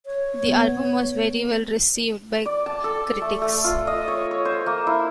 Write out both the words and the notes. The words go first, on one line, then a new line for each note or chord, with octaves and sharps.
The album was very well received by critics.
C#5
B3
D5
A5
A4
A3
A3
F4
D#5
C#5
C#5
C5
A#3
E4